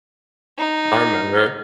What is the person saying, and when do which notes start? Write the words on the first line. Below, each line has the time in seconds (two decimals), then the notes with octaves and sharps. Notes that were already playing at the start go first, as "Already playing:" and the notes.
I remember.
0.58 D#4